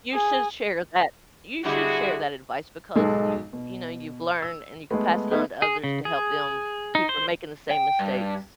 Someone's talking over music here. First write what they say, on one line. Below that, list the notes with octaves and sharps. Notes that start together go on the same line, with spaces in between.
You should share that you should share that advice because you you know, you've learned and you could pass it on to others to help them keep from making the same mistakes.
G#4
D3 G3 G#3 E4 F#4 G#4
B1 G#2 G#3 G#4 A4
B2
E6
G#3 A3 B3
A3 B3 D#4 A4 E5 G#6
G#4
C#3
G#4
D#4
C5
G5
G2